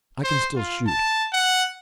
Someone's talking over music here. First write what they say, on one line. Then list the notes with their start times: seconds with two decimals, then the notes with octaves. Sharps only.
I can still shoot.
0.24 C5
0.56 F4
0.87 A5
1.33 F#5